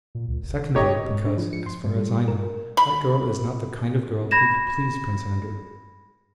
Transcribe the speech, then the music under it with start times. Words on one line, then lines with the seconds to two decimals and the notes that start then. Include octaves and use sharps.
Secondly because, as far as I know, that girl is not the kind of girl who could please Prince Andrew.
0.15 A#2
0.28 C#2
0.43 F1
0.75 A2 G4 C#5 D#5
1.10 G#2
1.26 D4
1.38 F3
1.53 C#7
1.66 C6
1.84 G#2
1.96 G3
2.09 G3
2.28 A#4
2.77 B5
4.31 B5 G#6 A#6 E7